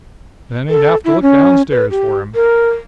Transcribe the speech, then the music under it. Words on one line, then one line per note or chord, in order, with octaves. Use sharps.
Then he'd have to look downstairs for him.
A4
E4
C#4
B4
G4
A#4